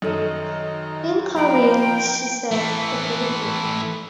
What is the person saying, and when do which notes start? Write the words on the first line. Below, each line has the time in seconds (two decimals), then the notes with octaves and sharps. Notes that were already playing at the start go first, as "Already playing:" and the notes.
In Korean, she said, Forgive me.
0.02 F#2 D#3 D#4 A4 D#5
1.36 F3 A#3 G5 A#5 B5
2.52 E3 A3